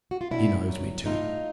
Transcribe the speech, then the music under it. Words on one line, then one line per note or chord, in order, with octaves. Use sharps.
He knows me too.'
F#4
F4
B2 D4 E4
F#3
A2 D#4 F4